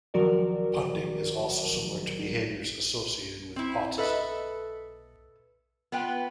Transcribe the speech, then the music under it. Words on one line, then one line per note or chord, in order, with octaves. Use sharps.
Punding is also similar to behaviors associated with autism.
D#3 F3 F#3 F#4 A#4 D5
C4 E4
A4 B4 D#5 E5
B3 F4 B4 G5